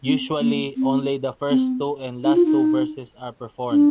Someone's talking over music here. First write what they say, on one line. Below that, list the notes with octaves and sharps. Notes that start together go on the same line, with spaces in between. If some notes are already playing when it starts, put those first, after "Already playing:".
Usually, only the first two and last two verses are performed.
C4
A#3
C4
C4
D#4
F4
D#4
D4